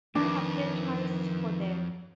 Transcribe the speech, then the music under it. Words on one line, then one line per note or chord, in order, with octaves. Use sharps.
He appeared twice for them.
F2 D#3 E3 D4